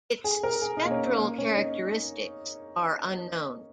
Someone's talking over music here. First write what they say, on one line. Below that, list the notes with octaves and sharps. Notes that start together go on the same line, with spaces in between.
Its spectral characteristics are unknown.
G#4
A#4
G#4
D#4
A#3
C#4
C#4
A#3
C#4
D#4